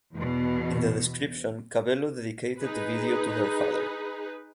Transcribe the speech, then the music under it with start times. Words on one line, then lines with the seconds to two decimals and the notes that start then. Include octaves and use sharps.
In the description Cabello dedicated the video to her father.
0.13 E2 B2
2.59 D#4 G#4 B4